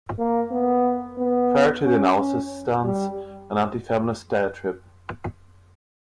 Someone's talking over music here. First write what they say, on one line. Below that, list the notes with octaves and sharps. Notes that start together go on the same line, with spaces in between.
Prior to the analysis stands an antifeminist diatrib.
A#3
B3
B3
C#4
C#4
G3